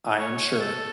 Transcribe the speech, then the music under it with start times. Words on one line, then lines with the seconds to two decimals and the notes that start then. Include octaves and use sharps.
I am sure.
0.20 C#5
0.60 A4